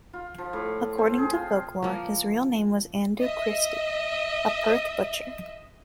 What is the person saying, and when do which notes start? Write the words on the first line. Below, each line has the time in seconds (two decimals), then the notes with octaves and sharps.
According to folklore, his real name was Andrew Christie, a Perth butcher.
0.13 F4
0.38 F3
0.53 A2
0.98 C4
1.18 G#4
1.33 F4
1.83 F3 A#3
3.20 D#5 E5